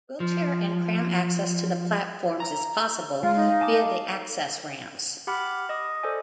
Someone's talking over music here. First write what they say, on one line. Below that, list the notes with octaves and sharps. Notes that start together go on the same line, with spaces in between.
Wheelchair and pram access to the platforms is possible, via the access ramps.
F3
A#5
G#3 F4 F5
D#4
G#5 A5 D6
G4 F#5 B5 D6 F6
D#5 D#6
A4 C5 D5 D#5 G#5